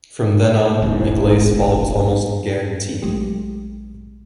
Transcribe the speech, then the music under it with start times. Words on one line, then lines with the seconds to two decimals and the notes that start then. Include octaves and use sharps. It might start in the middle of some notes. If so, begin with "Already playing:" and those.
From then on, McLay's fall was almost guaranteed.
0.82 E1 A1 E2 G#2
3.02 A#1 F#3 G#3 A3 G4